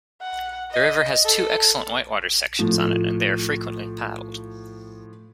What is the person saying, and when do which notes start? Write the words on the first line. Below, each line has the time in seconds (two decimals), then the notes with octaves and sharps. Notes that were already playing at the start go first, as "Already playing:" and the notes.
The river has two excellent whitewater sections on it, and they are frequently paddled.
0.22 F#5
0.71 D#5
1.25 A4
2.59 A2 F3